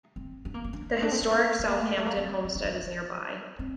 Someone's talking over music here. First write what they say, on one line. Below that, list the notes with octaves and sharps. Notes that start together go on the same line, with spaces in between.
The historic Southampton homestead is nearby.
C4
D4
A#3
A#3
D4
C4
D4
C4
A3
A#3
A3
A#3
A3
G3
A3
A#3
C4
C4
D4
D#4
D4
C4